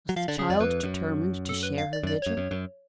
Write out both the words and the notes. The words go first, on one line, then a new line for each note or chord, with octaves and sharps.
Was the child determined to share her vigil?
F#3
F3 F5
D3 D5
C#3 G#4
F2 D5
F2 B4
F#2
A4
B4
F5
D5
F#2 D5
F#2 C#5
F#2
F#2